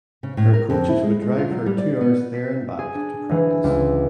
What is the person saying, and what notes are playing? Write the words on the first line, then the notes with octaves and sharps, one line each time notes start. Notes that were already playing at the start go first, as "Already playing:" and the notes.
Her coaches would drive her two hours there and back to practice.
C#3
A2
A#4
F2
E4
G#3
G#3
F4
F#3
G3
D5
B3
B6
G#4
D4
E3
C#2